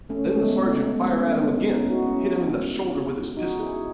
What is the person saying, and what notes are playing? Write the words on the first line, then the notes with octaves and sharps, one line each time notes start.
Then the sergeant fire at him again; hit him in the shoulder with his pistol.
A3 C#4
A3 C#4
G#3 B3
A3
G#3 B3
A3 C#4
B3 D#4
B3 D#4
C#4 E4
D#4 F#4
C#4 E4
D#4 F#4
E4 G#4